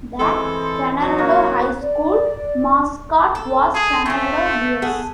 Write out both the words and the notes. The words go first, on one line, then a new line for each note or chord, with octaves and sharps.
The Kanorado High School mascot was Kanorado Bears.
E3 G#3 C4 A4
F#3
A#3 F#4
F#4
D5
A4
G#4 A4
A3 C4 F4
B3 G#4 A4